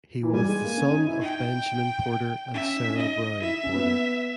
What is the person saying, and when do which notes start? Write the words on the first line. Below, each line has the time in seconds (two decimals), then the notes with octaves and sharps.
He was the son of Benjamin Porter and Sarah Brown Porter.
0.23 E3
0.33 G3 G#5
0.48 G#3
0.64 A#3
0.77 C#4
0.92 D#4
1.07 E4
1.21 D#4 G5
2.54 C#4 E5
2.76 D#4
2.88 C#4
2.97 D#4 D#5
3.42 E4 E5
3.64 C#4
3.74 B3